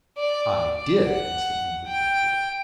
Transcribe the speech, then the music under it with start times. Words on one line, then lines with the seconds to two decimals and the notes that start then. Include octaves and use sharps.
"I did," was the angry retort.
0.18 D5
0.74 D5
1.08 F#5
1.86 G5